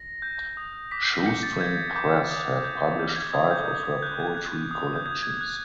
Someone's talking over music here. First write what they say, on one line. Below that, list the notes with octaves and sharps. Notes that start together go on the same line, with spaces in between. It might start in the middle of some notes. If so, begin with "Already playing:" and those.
Shoestring Press have published five of her poetry collections.
Already playing: A#6
G6
D#6
D6 B6
C7
G6 C#7
A6
G6 G#6
D6 G6
D#6
G6
G6
G#6
D#6 G#6
G6
D#6 G#6
G#6
F#6 G6
G#6
F#6
D#6
G6
D#6 G#6
G#6
F#6